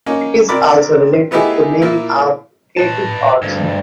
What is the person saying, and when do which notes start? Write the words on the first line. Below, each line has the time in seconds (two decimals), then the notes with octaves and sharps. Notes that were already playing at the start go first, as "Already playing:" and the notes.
It is also related to many of the creative arts.
0.06 A#3 C#4 D#4
0.49 C3 A#4 D5 B5 D6
1.31 A3 B3 D#4 E4 G4 G#4
1.82 A#2 A#3 E4
2.77 B4 A5
3.42 D2 G2